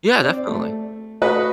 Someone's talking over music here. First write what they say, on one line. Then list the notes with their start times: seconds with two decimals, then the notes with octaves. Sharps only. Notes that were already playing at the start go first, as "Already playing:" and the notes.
Yeah, definitely.
0.21 C4 D5
0.47 A3
1.22 A3 F#4 B4 D#5 F#5